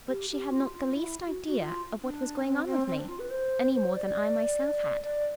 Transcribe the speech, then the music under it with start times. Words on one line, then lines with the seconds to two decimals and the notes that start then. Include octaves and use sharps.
But she had not the least idea of what was going on with me, any more than I myself had.
0.08 G4
0.30 G4
0.51 F4
0.72 F4
0.94 E4
1.26 F#4
1.48 F#4
1.59 F4
2.02 D4
2.44 C4
2.66 C4
2.87 C4
2.98 D4
3.08 F4
3.19 B4
3.30 C5
3.73 C5
3.94 D5
5.02 D5